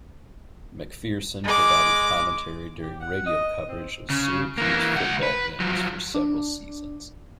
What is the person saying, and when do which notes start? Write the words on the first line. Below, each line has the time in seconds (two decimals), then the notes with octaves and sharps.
MacPherson provided commentary during radio coverage of Syracuse football games for several seasons.
1.44 G#3 D6
2.80 G4
3.00 F#5
3.26 D#5
3.67 C4
4.10 C#3
4.58 E3 A#3
4.96 C#2 F#5
5.23 B4
5.60 F3 F#3
6.15 D4